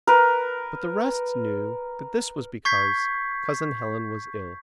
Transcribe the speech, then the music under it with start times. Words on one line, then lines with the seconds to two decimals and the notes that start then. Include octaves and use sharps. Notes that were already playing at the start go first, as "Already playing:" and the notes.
But the rest knew that this was because Cousin Helen was ill.
0.07 A#4 B4
2.65 C#6 G6 G#6 B6 C7